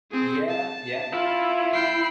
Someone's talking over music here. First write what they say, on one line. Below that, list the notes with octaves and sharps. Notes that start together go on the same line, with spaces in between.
Yeah, yeah,
C4 G#4
A5
E4 F4
G5 C7